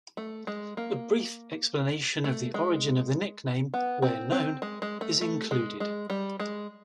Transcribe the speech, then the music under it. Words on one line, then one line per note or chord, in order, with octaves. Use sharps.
A brief explanation of the origin of the nickname, where known, is included.
A3
G#3
A#3
A3
G#3
B3
C4
C4
G#3
G#3
A3
A3
G#3
G#3
G3
G#3